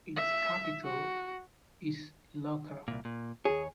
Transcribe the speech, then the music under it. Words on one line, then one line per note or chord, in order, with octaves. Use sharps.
Its capital is Luarca.
E5
F#4
C2 A#2
A#2
D#2 G#4 C#5